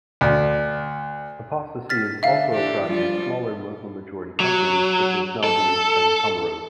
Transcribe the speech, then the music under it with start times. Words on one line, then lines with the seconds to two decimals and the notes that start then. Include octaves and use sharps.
Apostasy is also a crime in smaller Muslim-majority countries such as Maldives and Comoros.
0.21 D2
1.89 F6 A6 B6
2.23 D3 E5 F5
2.52 E3 D4 G4
2.84 F3 G3 F4
4.40 F#3
5.44 A4